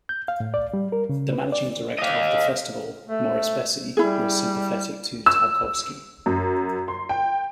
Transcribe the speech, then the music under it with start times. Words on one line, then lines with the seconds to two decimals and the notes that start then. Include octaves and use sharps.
The managing director of the festival, Maurice Bessy, was sympathetic to Tarkovsky.
0.09 G6
0.28 F5
0.40 A2
0.54 D5
0.74 G3
0.92 A#4
1.09 C#3
1.33 B4
1.52 D5
1.99 D#5 F5
3.06 A3
3.97 G3 E4 G#4
5.26 E6
6.26 F#2
6.88 C6
7.09 G5